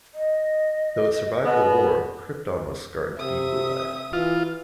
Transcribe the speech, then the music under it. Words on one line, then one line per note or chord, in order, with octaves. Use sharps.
Though it survived the war, Krypton was scarred deeply by it.
D#5
B2 B3
C3 E5 D#6
E3 F4